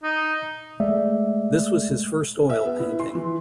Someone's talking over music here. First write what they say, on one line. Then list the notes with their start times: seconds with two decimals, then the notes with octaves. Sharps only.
This was his first oil painting.
0.03 D#4
0.80 G#3 A3 D5 E5
2.49 E5
2.65 B3
2.79 E4
3.00 C6
3.15 E3